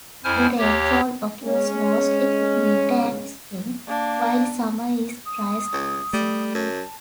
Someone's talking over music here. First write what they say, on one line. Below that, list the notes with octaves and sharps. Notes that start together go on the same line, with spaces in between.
The rainfall occurs mostly in winter and spring, while summer is driest season.
F2 E4 C5 G#5 F6
D#2 G4 C#5
G#3 C#4
A#3 D4
D#6
C#2
G3 A3
F#2 A5